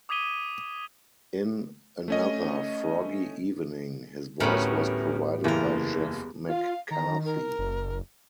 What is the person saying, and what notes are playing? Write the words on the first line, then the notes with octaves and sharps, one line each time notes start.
In "Another Froggy Evening", his voice was provided by Jeff McCarthy.
D6 D#6 G#6 B6 D#7 G7
A3 C#4 D#5
D2 A2 G3 B3 C#4 A#4
F#1 E2 E3 A#3 A#4
F4 F5
D#3 A#5
A#4
F#1